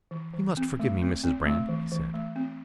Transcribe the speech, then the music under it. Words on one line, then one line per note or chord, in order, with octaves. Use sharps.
"You must forgive me, Mrs. Brand," he said.
E3
E3
C4
A3
C4
C4
A3
E3
E3
A3
C4